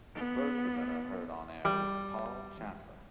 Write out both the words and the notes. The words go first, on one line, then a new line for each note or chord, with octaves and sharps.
The first presenter heard on air was Paul Chantler.
B3
G3